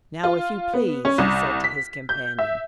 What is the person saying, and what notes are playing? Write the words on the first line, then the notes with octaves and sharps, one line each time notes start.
"Now if you please," he said to his companion.
F4
B3
C#4
C2
B6
G6
E5